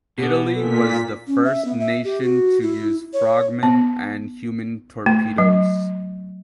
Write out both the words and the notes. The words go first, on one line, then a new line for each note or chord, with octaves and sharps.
Italy was the first nation to use frogmen and human torpedoes.
B2 B3 G4
A#2 A4 B6
C#4
E5
B3
E5
G4
F#4
E4
C#5
B3
A3
F#3